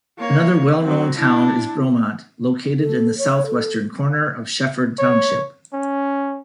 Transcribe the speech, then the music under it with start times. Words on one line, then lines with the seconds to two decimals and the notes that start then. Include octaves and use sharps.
Another well known town is Bromont, located in the southwestern corner of Shefford Township.
0.19 A#3 C#5
0.81 F#3 C4
1.18 D4 E4
2.80 A4
3.18 C#5
3.46 A4
4.99 C#5
5.73 C#4